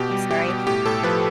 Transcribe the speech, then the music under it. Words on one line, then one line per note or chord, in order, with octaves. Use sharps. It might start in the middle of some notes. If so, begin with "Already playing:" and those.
I'm sorry,
Already playing: B2 G4
G3
G3 G4
B2
A2 G4
A2 A4
F3 B4